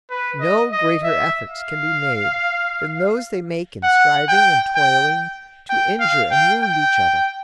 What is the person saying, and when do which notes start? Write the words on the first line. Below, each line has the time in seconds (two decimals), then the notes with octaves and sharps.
No greater efforts can be made than those they make in striving and toiling to injure and wound each other.
0.11 B4
0.41 D#5
0.72 D#5
1.04 E5
1.50 F5
3.83 F#5
4.29 G5
4.76 G5
5.70 G5
6.01 F5
6.31 G5
6.63 G5